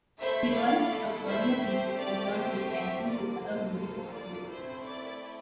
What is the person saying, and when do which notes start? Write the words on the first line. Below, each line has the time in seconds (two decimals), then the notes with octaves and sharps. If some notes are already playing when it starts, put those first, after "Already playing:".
He revised some earlier pieces, and turned his attention to other musical activities.
0.20 A3 E4 A4 C5 E5
0.55 D5 F5
1.27 C5 E5
1.62 A3 C4 G4 C5
1.98 D5
2.34 C5 E5
2.70 C5 E5
3.06 A#3 F4 A4 D5
3.41 C5
3.77 C5
4.12 D5
4.48 A3 C4 E4 A4 C5
4.84 D5